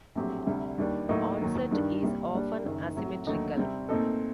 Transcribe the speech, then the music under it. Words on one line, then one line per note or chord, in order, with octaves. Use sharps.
Onset is often asymmetrical.
A#1 A2 F#3 C4 G4
D2 C3 G3
D#2 D#3 G3 D4
A2 F#3 A#3 D#4
D#2 D#3 F#3
G2 D#3 G3 D4
C2 A#2 G3
A#2 G3 D4
F#1 F#2 D#3
A2 F#3 C4
D#2 D3 F#3 A3 D#4
C3 G3 C4
A#2 A3 C4 D#4 A4